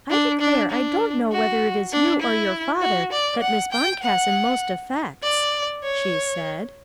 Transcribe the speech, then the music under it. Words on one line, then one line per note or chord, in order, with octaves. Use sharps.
"I declare I don't know whether it is you or your father that Miss Boncassen most affects," she said.
D4
D4
D4
F#4
D4
E4
F#4
D5
F#5
G5
F#5
D5
C#5